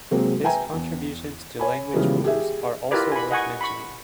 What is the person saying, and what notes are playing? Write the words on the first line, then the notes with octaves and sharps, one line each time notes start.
His contributions to language rules are also worth mentioning.
C3 F#3 G#3 A#3 C4
B4 E5 G5 G#5 A#5
E2
C#5 G#5 B5
C#3 E3 F3 G3 G#3 B3
G4 G#4 E5
E4 F4 G4 A#4 B4 D5
G#5 B5
D#5 F#5 G#5 C#6
B5 C#6